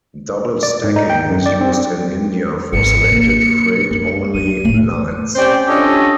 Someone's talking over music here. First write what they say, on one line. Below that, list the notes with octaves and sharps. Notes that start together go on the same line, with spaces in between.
Double stacking is used in India for selected freight-only lines.
D5
G#2
D#4
G5
F#2
D5
C4
G#1 C4 C#7
B2 A#3
F#2
F#3 D#7
A2 D#4
C4 C#4 G4 C5 D5 G5
C#4 D4 F4 G4 A4 D#5